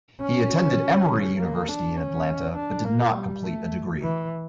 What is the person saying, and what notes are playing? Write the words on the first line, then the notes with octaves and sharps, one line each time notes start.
He attended Emory University in Atlanta but did not complete a degree.
C#4
A#3
D4
C#4
D4
A#3
G3
A3
E3